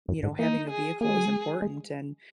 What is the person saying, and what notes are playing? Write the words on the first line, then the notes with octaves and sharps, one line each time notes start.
you know, having a vehicle is important, and,
F#2
G#2
A#3 D#4
G#4
A#3 G#4
G#3
F#3
G#3
G#3